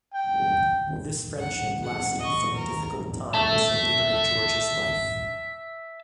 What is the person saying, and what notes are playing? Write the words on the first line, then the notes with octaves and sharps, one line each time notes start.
This friendship lasted through difficult times later in George's life.
G5
F#5
F#5
D#5 C#6
A#4 A#5
E5 A5